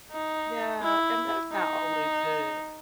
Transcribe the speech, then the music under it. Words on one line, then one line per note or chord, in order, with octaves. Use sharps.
Yeah, and that's not always good.
D#4
E4
D#4